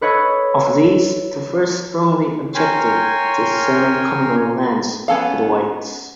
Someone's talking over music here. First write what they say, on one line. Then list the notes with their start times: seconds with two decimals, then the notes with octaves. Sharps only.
Of these, the first strongly objected to selling communal lands to the whites.
0.01 A4 B4 C#5 D#5 F#6
2.55 A#4 C#5 G5 G#5 C6
5.08 B3 C#4 A4 F5